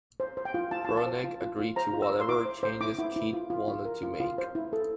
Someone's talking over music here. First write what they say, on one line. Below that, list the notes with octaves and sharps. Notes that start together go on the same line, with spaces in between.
Proenneke agreed to whatever changes Keith wanted to make.
C5
C5
G5
F4
F4 A5
A5
F4
A5
C5
F4
F4
F4
C5 A#5
F4
E6
C5
C6
E4 D6
C5
C5
E4 D6
E4
E4
F4
F4
F4
A#4
F4
F4
C5
E4
A4